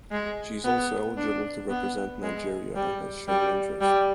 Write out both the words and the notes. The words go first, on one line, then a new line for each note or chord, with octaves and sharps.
She is also eligible to represent Nigeria and has shown interest.
G#3
B3
D4
B3
G#3
G3
G3
G3